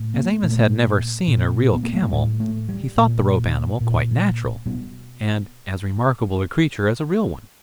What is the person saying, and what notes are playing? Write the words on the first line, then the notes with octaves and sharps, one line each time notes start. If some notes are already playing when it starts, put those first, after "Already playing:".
As Amos had never seen a real camel, he thought the rope animal quite natural, and as remarkable a creature as a real one.
Already playing: A2
A#3
A#2 A3
A#2
B3
A#3
A3
G#3
A2 G3
A3
G3
A#2
A#2
B2 G3